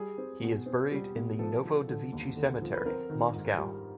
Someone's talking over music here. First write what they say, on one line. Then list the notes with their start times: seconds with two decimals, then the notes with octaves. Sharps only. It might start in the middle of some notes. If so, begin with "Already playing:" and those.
He is buried in the Novodevichy Cemetery, Moscow.
Already playing: G3 G#4
0.18 C4
0.42 B2
0.66 C4
0.92 G3
1.15 B2
1.39 F3 A4
1.65 F3
1.88 D3
2.12 D#2
2.36 D3
2.61 F3
2.74 B4
2.86 C4 A#4
3.10 D#3
3.34 G#2
3.58 G3